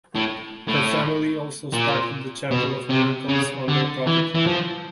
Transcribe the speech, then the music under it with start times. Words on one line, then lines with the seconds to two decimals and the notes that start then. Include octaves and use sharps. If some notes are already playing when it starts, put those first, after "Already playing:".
Her family also started the Chapel of Miracles on their property.
0.16 A2
0.68 A2
1.73 A#2
2.51 B2
2.90 C3
3.29 C#3
3.68 D3
4.07 E3
4.35 E3
4.47 F3